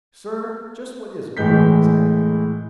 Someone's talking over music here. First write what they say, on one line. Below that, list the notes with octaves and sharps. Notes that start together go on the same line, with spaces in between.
"Sir, just what is a pearl exactly?"
A2 E3 G#3 G6 B6